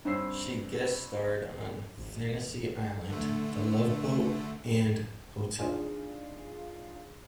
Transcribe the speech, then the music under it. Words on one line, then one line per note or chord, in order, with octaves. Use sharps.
She guest starred on "Fantasy Island", "The Love Boat" and "Hotel".
G2 C4 C#5 E6 C7
G#1
D3 A3
D4 D#4 F4 G#4 F5